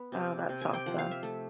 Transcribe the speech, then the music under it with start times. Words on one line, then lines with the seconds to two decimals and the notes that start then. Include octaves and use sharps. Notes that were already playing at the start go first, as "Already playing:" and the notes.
Oh, that's awesome.
Already playing: B3
0.12 C3
0.49 C3
0.61 G#5
0.73 G5
0.86 F3 F#5
0.98 F5
1.11 E5
1.23 A3